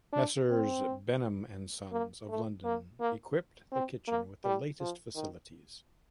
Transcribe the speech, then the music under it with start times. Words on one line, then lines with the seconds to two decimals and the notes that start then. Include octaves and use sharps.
Messrs Benham and Sons of London equipped the kitchen with the latest facilities.
0.13 D4
0.50 C4
1.92 A#3
2.29 A3
2.64 A#3
3.00 A#3
3.72 C4
4.08 A#3
4.44 G3
4.80 F3
5.16 D#3